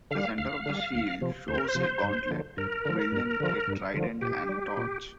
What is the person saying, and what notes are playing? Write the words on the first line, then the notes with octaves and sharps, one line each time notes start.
The center of the shield shows a gauntlet wielding a trident and a torch.
D3 G3 F5
D2 F5
D3 G3
D2
C3 F3
D2 C5
A#4
C5
C3 F3
G2
D3 F3
G2 A#4
D3 F3
G2
D3 F3
G2
D3 F3
A#2 G4
G3
A#2